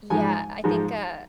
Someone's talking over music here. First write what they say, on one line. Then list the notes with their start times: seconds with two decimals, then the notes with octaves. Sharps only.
Yeah, I think, uh,
0.10 G#2 F3 G#3 G#5
0.64 G#2 F3 G#3